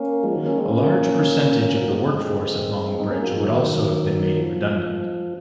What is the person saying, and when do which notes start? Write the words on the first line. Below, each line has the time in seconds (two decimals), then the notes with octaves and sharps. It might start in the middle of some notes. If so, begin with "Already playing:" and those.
A large percentage of the workforce at Longbridge would also have been made redundant.
Already playing: A#3 C#4
0.23 F3 G#3
0.35 D#3 F#3
0.46 A#3 C#4
0.58 G#3 C4
0.69 A#3 C#4
1.61 A#3 C#4
1.77 F#3 A#3
1.92 G#3 C4
2.99 C4 D#4
3.10 A#3 C#4
3.22 F#3 A#3
3.34 F3 G#3
3.46 D#3 F#3
4.37 F3